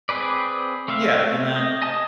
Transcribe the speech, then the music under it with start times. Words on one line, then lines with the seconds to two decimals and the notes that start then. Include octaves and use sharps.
Yeah, and that
0.09 C4 G#4 B4 D5
0.88 A3 C4 E5 F5
1.56 D#5
1.82 D#5 G#5 A5 D#6